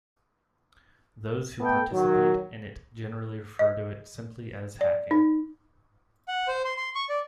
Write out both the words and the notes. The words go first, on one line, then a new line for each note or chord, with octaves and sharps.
Those who participate in it generally refer to it simply as "hacking".
A3 B3 A4 G5
D#3 F#3
D#5
D5
D#4
F#5
C5
C6
C6
C#6
D5